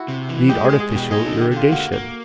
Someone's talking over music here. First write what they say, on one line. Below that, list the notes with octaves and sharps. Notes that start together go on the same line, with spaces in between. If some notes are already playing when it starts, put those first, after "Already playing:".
Need artificial irrigation.
Already playing: E4 F#4
C3
E3
G#3 G4
G#3 G#4
G#4
B2
G4
D#4 G#4
A4
D3
G4
D3 F4
A#3 F#4
A#3